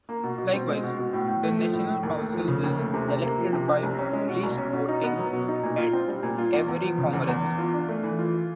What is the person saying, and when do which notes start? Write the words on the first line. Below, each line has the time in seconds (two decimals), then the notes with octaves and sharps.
Likewise, the national council is elected by list voting at every congress.
0.09 A#3
0.23 B2
0.38 B2
0.54 C4
0.68 G#3
0.83 B2
0.98 B2
1.13 A2
1.28 A2
1.43 A3
1.58 F3
1.74 A2
1.88 A2
2.03 D#2
2.18 A3
2.33 F3
2.48 C#3
2.64 D#2
2.79 A3
2.94 C3
3.08 C3
3.23 A#3
3.38 F3
3.53 C3
3.68 C3
3.83 C2
3.99 C#4
4.13 G#3
4.29 B2
4.43 C2
4.58 C#4
4.73 B2
4.88 D#4
5.04 B3
5.18 F#3
5.33 B2
5.48 D#4
5.63 A#2
5.78 F4
5.93 C4
6.08 G3
6.23 A#2
6.38 F4
6.53 E2
6.68 E2
6.83 F3
6.98 C#3
7.13 E2
7.28 E2
7.44 E3
7.58 F4
7.73 D4
7.88 A3
8.03 E3
8.19 F4